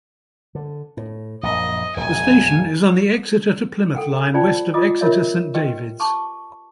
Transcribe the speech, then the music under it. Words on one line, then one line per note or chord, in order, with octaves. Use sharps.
The station is on the Exeter to Plymouth line west of Exeter Saint Davids.
D3
A2
A#1 F#2 D#5
E1 A#1 F2 G#5
A4 F#5 G5
F4 C5 D5 G5 A5 B5
F4 D#5 D6 D#6
F4 A#4 C#5 D#5 E5
C#4 G4 B4 D#5 G5
A5 C#6 D6